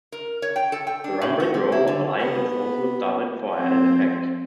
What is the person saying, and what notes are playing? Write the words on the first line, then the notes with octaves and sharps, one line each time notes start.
The rumbling growl of a lion was also dubbed for added effect.
A#4
C#5
G5
A4
G5
D4
A2
F#4
C4
E4
D3
B3
F3 C4